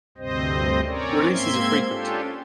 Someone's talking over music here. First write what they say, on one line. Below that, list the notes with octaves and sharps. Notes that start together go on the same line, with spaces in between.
The releases are frequent.
D2 G2 C3 C4 C5 D#5
C4 C#4 A#4 C#5 D5
G#2 A#3 C4 E5 C6 G#6
C#4 D4 F4 G4 A4